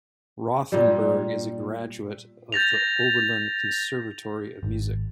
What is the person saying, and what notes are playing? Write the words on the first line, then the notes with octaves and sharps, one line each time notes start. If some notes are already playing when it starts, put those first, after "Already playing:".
Rothenberg is a graduate of the Oberlin Conservatory of Music.
A#2 G3
G6 A6 A#6 F7
G#1